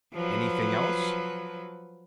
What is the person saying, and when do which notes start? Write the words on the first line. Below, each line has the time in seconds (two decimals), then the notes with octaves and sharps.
"Anything else?"
0.13 F3 F#3 B4